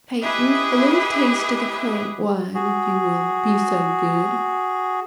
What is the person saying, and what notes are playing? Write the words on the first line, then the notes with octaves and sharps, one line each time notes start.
Peyton--a little taste of the currant wine, if you will be so good.
E4 G4 G#4 B4 D#5 E5
F#4 G#4